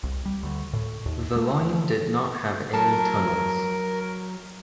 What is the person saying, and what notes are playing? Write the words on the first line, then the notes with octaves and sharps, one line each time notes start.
The line did not have any tunnels.
C2
G3
D2
A2
D#2
A3
F#3 A#4 A5